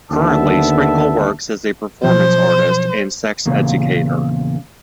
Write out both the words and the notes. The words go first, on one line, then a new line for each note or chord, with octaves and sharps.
Currently, Sprinkle works as a performance artist and sex educator.
D#2 D3 B3 E5 A5
B2 F3 F#3 C5
E2 A#2 C#3